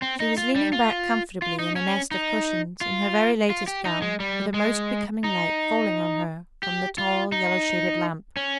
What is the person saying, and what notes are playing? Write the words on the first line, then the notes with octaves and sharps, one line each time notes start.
She was leaning back comfortably in a nest of cushions, in her very latest gown, with a most becoming light falling on her from the tall, yellow-shaded lamp.
C4
D#4
F4
G3
F4
F4
D#4
C#4
D#4
F4
F4
G4
D#4
G#3
G3
G#3
D#4
G4
F4
D#4
C#4